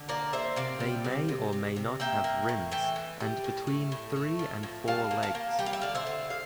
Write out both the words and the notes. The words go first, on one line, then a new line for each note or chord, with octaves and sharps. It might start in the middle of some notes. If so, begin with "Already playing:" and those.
They may or may not have rims and between three and four legs.
Already playing: D3
A#3 A#4 D5
A#3 C5 E5
C3 D5 F5
G3
C3
C3
C3
C3
A#3 E5 G5
A#3
A2
E3 E5 G5
E3
G3
A2
A3
A2
A3
F3
A2
G3 F5 A5
A#3
F5 A5
A#3
G3 G5
F5
E5
D3 D5 F5
C5 E5
D3
F5